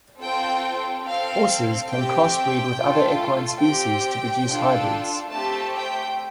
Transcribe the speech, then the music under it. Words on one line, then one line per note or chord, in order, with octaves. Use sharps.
Horses can crossbreed with other equine species to produce hybrids.
C4 F4 A4 G5
C4 A4 F5
A3 C4 G4 G5
A3 F4 A4
C4 G4 G5
D4 F4 A4
A3 C4 G4 A5
G5